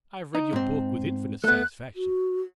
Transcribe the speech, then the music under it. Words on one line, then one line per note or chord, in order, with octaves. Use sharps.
I have read your book with infinite satisfaction.
D#4
G#2 C4
A3 B3 F#6
F#4